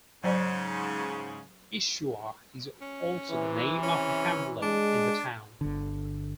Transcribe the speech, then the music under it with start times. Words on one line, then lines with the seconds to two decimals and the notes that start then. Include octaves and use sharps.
Ischua is also the name of a hamlet in the town.
0.24 G#2 C#3 F#3 C5 D5
2.81 C#4
3.30 C3 E3
3.83 C#4
4.62 G#3 D4
5.61 G1 D3